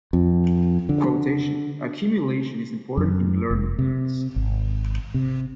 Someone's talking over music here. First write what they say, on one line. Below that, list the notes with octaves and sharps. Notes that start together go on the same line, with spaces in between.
Quotation: Accumulation is important in learning things.
F2
D3
F#2
F1
C3
G#1
C3